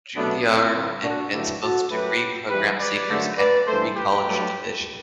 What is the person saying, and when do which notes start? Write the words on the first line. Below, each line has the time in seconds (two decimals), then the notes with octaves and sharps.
Juilliard admits both degree program seekers and pre-college division.
0.15 B2 F#3 A3 B3 D4
0.45 C4 E4
0.74 G2 D3 G3
1.03 D4 F#4
1.32 G2 D3 F#3 A3 E4 G4
1.62 F#4 A4
1.91 F#2 F#3 A3 G4 B4
2.50 G2 E3 G3 G4 B4
2.79 B4 D5
3.09 F#2 D3 A3
3.38 B4 D5
3.67 G2 E3 A3 A4 C5
3.96 G4 B4
4.26 G2 F#3 A3